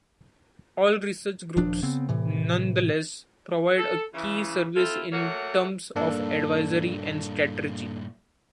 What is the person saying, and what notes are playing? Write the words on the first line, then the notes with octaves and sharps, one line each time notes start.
All research groups, nonetheless, provide a key service in terms of advisory and strategy.
D#1 F3 D4
C#3 B3 C4
A2 C3 E3
A4
C#3 E3
C4 E4 F4 A4
F#3 A3 A#3 C#5 F#5
G2 A#2 A#3 D4 A4